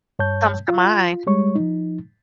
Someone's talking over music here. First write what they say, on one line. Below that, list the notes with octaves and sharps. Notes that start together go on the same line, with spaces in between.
comes to mind.
G2 C#5 A5 G6
F4
G3 G#3 C#5 C#6
F3 D#4